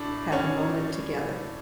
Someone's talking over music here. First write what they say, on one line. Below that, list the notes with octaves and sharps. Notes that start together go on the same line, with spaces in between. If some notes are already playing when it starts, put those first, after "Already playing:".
have a moment together.
Already playing: A2 D4 D5
C#4 C#5